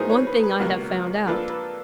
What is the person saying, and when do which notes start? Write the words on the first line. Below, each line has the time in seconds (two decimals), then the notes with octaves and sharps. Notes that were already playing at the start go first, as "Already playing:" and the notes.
One thing I have found out.
Already playing: A2 F#3 B3 D#4 G#4 A#4 C5
0.10 B4 C#5
0.27 B4
0.43 B4
0.60 C#2 B2 G3 A#3 B4
1.27 F3 A#3 D4 F4 A4 B4
1.50 B4